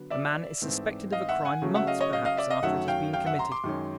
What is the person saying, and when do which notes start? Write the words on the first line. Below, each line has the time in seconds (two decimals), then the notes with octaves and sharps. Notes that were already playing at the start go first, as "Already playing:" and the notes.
A man is suspected of a crime months perhaps after it has been committed.
Already playing: D3 F#3 B3
0.10 D5 E5
0.61 G#2 E3 A3 C4
1.12 D#5 F5
1.29 E5 F#5
1.45 F#5 G#5
1.62 C#3 F#3 A3 C#4
1.75 E5 F#5
1.87 D#5 F5
2.00 C#5 D#5
2.13 D#5 F5
2.25 D#5 F5
2.37 D5 E5
2.50 D#5 F5
2.63 F#2 D#3 F#3 A3 C#4 E5 F#5
2.88 F5 G5
3.13 F5 G5
3.26 E5 F#5
3.39 A#5 C6
3.52 C6 D6
3.64 F#2 D#3 G#3 C#4